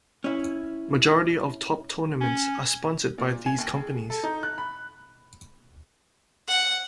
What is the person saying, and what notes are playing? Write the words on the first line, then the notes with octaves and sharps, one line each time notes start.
Majority of top tournaments are sponsored by these companies.
C#4 E4
C#4
A#2
G#5
D#2
G#4
A4
D#4
F#6
B5
F#5